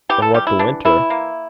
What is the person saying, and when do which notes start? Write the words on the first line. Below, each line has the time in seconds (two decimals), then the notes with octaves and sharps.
And what the winter?
0.09 E3 G4
0.22 A4
0.34 G3 G4
0.47 E4
0.59 E3 D4
0.85 E3 E4
1.10 A#3